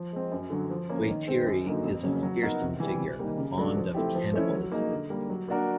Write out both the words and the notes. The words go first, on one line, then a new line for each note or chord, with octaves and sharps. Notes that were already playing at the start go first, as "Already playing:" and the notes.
Whaitiri is a fearsome figure, fond of cannibalism.
Already playing: F3
G#3 C4
F#2
D3 F#3
F3
A#3 C#4
D#3
G#3 C4
F#2
D3 F#3 A#3 D#4
F2
C#3 F#3 A#3 C#4
F#3
B3 D#4 F#4 A#4
C3
E3 G3
C3
D#3 G3 A#3
C#3
F#3 A3 D4
F3
A3 C4 E4 G4
F3
A3 C#4 E4
F#3
A#3 D#4 G#4
D3
G3 A#3
F#3
A#3 D4 F#4 A#4